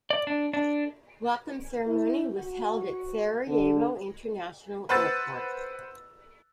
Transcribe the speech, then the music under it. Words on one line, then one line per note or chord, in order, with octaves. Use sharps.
Welcome ceremony was held at Sarajevo International Airport.
D5
D4
D4
E4
F#4
D3
B4 C5 F#5 B5 E6 A6